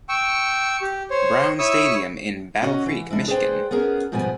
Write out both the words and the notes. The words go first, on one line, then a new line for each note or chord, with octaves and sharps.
Brown Stadium in Battle Creek, Michigan.
G5 C#6 E6
G4
C5 C#5
E4 C#5 C#6 D#6 E6
C#4 F#4 D#5
E3
E3 G#3 D4
G#4 B4 C5 D5 G5
B3 C#4 G#4 A#4
G#2 B2 F3 G3 B3 G#5